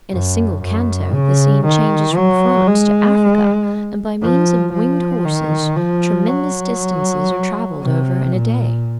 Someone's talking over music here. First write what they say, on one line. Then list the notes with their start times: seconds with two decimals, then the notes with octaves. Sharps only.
In a single canto the scene changes from France to Africa, and by means of winged horses tremendous distances are traveled over in a day.
0.11 F#2
0.63 F#2
1.13 C#3
1.66 D#3
2.16 F#3
2.68 G#3
4.23 F3
4.73 F3
5.25 D#3
5.76 F3
6.28 F#3
7.82 C3
8.33 A#2